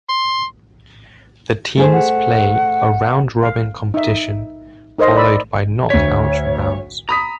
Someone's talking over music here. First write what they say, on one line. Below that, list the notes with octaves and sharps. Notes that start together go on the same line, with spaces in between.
The teams play a round-robin competition followed by knock-out rounds.
C6
A3 G#4 C5
F#5
F5
D#4 E5
D#4 A#4 C5 D#5 C6
D5 B5 E6
D2 C#5 B6
A#5 B5 D#6 B6